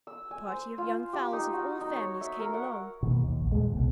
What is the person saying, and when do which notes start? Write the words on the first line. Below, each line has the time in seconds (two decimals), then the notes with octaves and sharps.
A party of young fowls of all families came along.
0.07 E6
0.31 G#5
0.48 C5
0.78 F4
1.13 G4
1.33 D#4
1.53 F#4
1.81 D#4
1.95 C#5
2.21 E5
2.40 A#4
2.54 F#5
3.03 B2 D#3 A#3
3.23 D#2
3.40 A#1
3.52 D#2 A#2 G#3
3.73 C2 B2